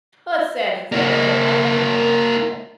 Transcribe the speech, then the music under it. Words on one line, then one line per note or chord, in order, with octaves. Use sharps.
it's sad to think, I didn't I I didn't realize that,
A#3 E4